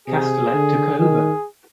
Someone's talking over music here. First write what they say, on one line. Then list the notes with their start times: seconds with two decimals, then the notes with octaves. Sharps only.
Castellet took over.
0.08 C3 G#4
0.54 D3
0.99 D#3 G#4